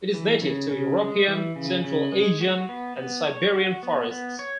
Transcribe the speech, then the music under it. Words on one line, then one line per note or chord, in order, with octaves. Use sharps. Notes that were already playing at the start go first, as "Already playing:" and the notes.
It is native to European, Central Asian, and Siberian forests.
E3
C#3
C#3
G#3
E3
C#3
C#3
G#3
F#4
B3
B3
C#5
F#4
B3
B3
C#5